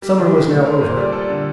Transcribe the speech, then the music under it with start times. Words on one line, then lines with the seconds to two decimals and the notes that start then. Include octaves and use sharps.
Summer was now over.
0.02 G3 G4
0.18 D#3
0.26 G4
0.34 D#3
0.50 A3 A4
0.66 A#4
0.74 C5
0.81 A#2
0.97 G3 D5
1.12 A4
1.29 D3